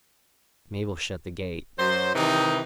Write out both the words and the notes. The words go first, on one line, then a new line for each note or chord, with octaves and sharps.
Mabel shut the gate.
F#2 F#3 C5
C3 D#3 E3 G3 D#4